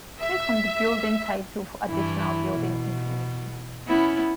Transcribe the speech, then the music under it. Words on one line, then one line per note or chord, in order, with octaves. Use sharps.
Click on the building title for additional building information.
E5
G2 E3 E4
B2
B3 C#4 E4